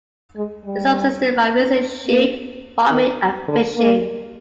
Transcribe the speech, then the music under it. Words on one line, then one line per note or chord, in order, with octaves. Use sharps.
They subsisted by raising sheep, farming and fishing.
G#3
G3
A#3
D#3
D3
A#3